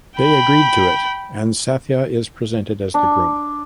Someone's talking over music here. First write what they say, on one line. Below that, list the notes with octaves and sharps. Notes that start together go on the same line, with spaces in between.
They agree to it and Sathya is presented as the groom.
G5 B5
D4